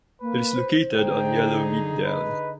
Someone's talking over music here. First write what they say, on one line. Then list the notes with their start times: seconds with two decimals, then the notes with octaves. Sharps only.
It is located on Yellowmead Down.
0.21 A#3 B4
0.54 C5
0.97 D3 D#4 G#4 G5
2.05 B4 D#5